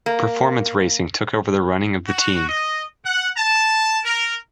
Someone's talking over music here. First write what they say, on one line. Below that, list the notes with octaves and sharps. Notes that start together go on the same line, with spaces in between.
Performance Racing took over the running of the team.
A#3
F#4
D#5
F#5
A5
A#4